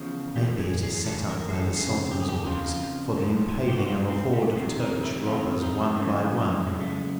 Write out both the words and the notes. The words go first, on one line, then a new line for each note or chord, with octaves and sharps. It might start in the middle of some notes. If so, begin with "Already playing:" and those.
Maybe it is set up by the Sultan's orders for the impaling of a horde of Turkish robbers, one by one.
Already playing: E2 C#3 F3
A2 E3 G4
G#4
G#4
A2 E3 A4
A#4
G#4
A4
F2 C#3 G#4
G4
G#4
G4
F2 C#3 F3 F4
G#2 F3
G4
F#4
G#2 F3 F4
C4
B3
F2 C3 D#3 C4
D#4
E4
F2 C3 D#3 F4
D#4
F#2 C#3 E3 A3
F#2 C#3 G#3
A3
G#3